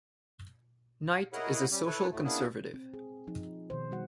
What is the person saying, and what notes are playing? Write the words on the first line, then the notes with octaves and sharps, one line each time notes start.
Knight is a social conservative.
E4 G#4 A#4 C#5 D#5 F#5
G3 C#4 G4
E4 A4 B4 C#5
D2 A2 A3
A#3 B3 C#4 D4 E4 G#4
C4
G#4
F3 D#4
B2 D#3 C5
G3 F#4 F#5